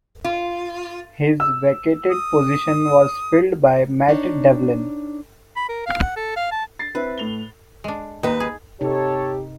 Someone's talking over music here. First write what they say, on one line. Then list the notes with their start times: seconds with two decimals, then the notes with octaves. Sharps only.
His vacated position was filled by Matt Devlin.
0.24 F4
1.40 E6
2.10 D#6
4.08 D4 D#4 C#5
5.56 B5
5.69 A#4
5.86 F5
6.02 F#5
6.16 A4
6.37 F5
6.52 A5
6.79 A6 C7
6.95 C4 E4 B4
7.18 A2 F7 G7
7.84 G#3 D4
8.23 D#2 D#4 B4
8.40 G#4
8.81 C3 D#4 G4 A4 C#5